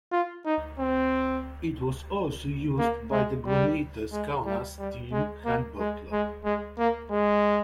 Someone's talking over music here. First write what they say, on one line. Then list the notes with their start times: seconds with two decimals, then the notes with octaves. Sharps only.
It was also used by the Granitas Kaunas team handball club.
0.12 F4
0.46 D#4
0.79 C4
2.78 A#3
3.12 G#3
3.46 G3
4.12 G#3
4.46 G3
4.79 G3
5.12 G#3
5.45 A#3
5.79 G#3
6.12 G#3
6.45 G#3
6.78 A#3
7.11 G#3